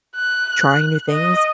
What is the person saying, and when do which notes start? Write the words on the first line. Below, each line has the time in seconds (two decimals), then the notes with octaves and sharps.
trying new things
0.16 F#6
1.10 D#5